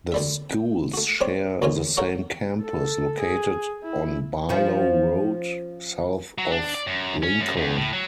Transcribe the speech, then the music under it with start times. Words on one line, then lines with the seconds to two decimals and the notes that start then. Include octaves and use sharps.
The schools share the same campus, located on Barlow Road, south of Lincoln.
0.12 D2 G3 E5
0.50 G5
0.94 A3 F#4
1.21 G3 C4 C#5 D6
1.62 D2 B2 D#3 F4 C#5 G#5
1.97 F#4 A4 A#4 C#5 F#5 G5
2.62 A4
3.20 G#4
3.84 E4
4.49 F3 C#4
6.38 F#3
6.51 D4
6.75 D5
6.87 F#2
7.23 C#4
7.40 F#2
7.57 E2
7.77 A2
7.93 F#3